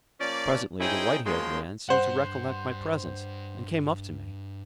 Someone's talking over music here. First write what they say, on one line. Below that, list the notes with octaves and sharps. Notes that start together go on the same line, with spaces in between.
Presently the white-haired man seemed to recollect my presence, and came up to me.
F3 A#3 C#4 D5
C#4 D#4 E4 G#4 C5 G5
F#2 F3 G#3 A#3 G5 C6
G2 C5 F#5